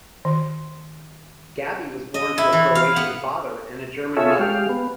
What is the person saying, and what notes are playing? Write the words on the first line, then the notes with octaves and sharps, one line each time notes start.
Gabi was born to a Croatian father and a German mother.
D#3
D#5
E4
E3
F5
B3
F4 G#4 A4 C#5 E5
G#3 G4 F5
B3